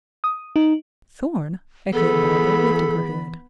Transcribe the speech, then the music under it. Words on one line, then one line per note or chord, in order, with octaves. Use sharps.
"Thorn!" echoed Barbara, lifting her head.
D#6
D#4
E3 B3 G#4 A4 B5